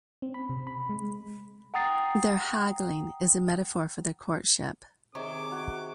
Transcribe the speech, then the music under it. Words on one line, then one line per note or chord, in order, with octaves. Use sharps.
Their haggling is a metaphor for their courtship.
C4
B5
C3
B5
G#3
F#5 G5 A#5 D#6 A6 C7
C3 D#3 C4 G#4 C#5 D6
F#4